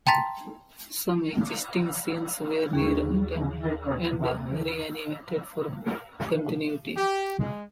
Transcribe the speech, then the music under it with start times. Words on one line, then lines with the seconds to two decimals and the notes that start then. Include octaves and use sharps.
Some existing scenes were rewritten and reanimated for continuity.
0.07 G5 A5 A#5 C6 A6 B6
2.73 D#2 G#4 C#6
6.97 G4
7.40 G#3